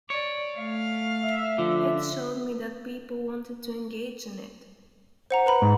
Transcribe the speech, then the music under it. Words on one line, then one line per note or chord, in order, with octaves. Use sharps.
It showed me that people wanted to engage in it.
C#5 D5
A3 F5
E5
D3 F3
C5 F#5 A#5
B4 A#5 B5
G#2